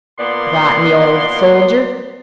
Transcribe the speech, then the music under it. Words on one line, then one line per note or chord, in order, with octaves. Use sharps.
Forgotten the Old Soldier!
A#2 A#3 B3 D5 C6